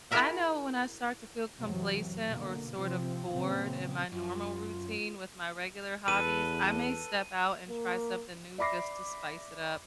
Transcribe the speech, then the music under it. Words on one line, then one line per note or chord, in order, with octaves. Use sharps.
I know when I start to feel complacent or sort of bored in my normal routine with my regular hobbies, I may step out and try something new just to spice it up.
E4 F#4 G#4 A#4 E5 F#5
F#2 C3 E3 F#3
B2 D3 A#3
C3 F3 C4
A#2 C#3 E3 F#3 A#3 C4
F#2 F4
E2 A4 B4 D#7
A#3
D5 E5 B5 D6 A#6 C7